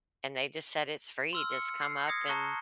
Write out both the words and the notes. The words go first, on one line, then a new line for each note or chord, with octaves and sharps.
and they just said "It's free, just come up and"
C6 E6 F6
C#7
C7
D#6 G#6 A#6 C#7
A5 A#5 C#6 F#6 C#7 G7